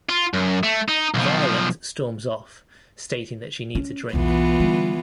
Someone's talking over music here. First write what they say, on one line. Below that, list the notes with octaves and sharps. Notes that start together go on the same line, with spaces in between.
Violet storms off, stating that she needs a drink.
F4
F#2
A3
D#4
B1 F3
C#4
B1 E2 E3 B3 F4
D3 G3